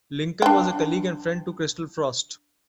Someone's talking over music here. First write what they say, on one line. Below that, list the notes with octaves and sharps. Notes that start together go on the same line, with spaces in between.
Lincoln was a colleague and friend to Crystal Frost.
D4 G5